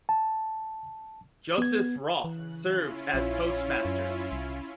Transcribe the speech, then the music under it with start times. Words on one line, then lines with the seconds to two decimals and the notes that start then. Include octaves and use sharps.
Joseph Roff served as postmaster.
0.09 A5
1.58 B3 G#6
2.24 C#3 E3 F#6
2.61 C#4 E4 F4
3.14 A#1 C#5
3.85 F#2
4.32 C2